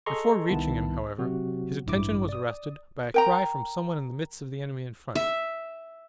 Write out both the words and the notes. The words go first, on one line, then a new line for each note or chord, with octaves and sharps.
Before reaching him, however, his attention was arrested by a cry from some one in the midst of the enemy in front.
G#4 A4 D#5 A#5 C6 C#6
C2 D#3 B3 E4 A5
C3 F#3 F#4
A1 G2 E4 D6
D5 D#6
A#4 G5 A#5
E5